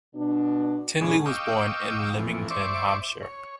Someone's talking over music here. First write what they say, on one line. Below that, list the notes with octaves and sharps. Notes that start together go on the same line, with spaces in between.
Tinley was born in Lymington, Hampshire.
B2 D4
G#2 B2 D3 D#3 C#4 G#4
D#5 F5 G5 C#6 D6 E6
F2 A2 E3
C5 D5 E5 C#6 D6
C#5